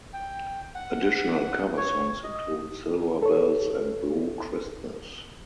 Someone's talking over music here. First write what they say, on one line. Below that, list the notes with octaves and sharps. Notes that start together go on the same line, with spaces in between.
Additional cover songs include "Silver Bells" and "Blue Christmas".
G5
F#5
C#5
D#5
A4 C#5